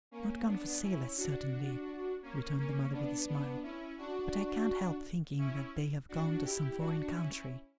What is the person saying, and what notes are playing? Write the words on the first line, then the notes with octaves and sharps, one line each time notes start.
'Not gone for sailors, certainly,' returned the mother with a smile. 'But I can't help thinking that they have gone to some foreign country.'
A#3 C#4
B3 D4
C#4 E4
D4 F#4
A#3 C#4
A#3 C#4
B3 D4
B3 D4
C#4 E4
D4 F#4
C#4 E4
D4 F#4
E4 G4
D4 F#4
C#4 E4